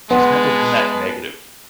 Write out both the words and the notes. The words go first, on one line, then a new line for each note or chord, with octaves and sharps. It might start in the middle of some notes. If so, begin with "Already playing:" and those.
She's never been that negative
G#3 B3 B4 F#5 A5 C6